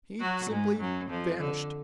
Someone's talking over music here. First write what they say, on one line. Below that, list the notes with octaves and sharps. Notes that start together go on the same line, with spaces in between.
He simply--vanished.
F#3 F#4
G#2 G#3
F#2 F#3
F2 F3
D3